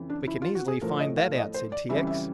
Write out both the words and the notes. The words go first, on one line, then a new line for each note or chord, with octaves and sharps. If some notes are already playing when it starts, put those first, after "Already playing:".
"We can easily find that out," said T. X.
Already playing: F2 C#3 E3
D4
E4
F4
F#4
G#4
A2 F3 A3 A#4
D#5
F5
D#5
C5
D5
F2 C#3 E3 G3 E5
E5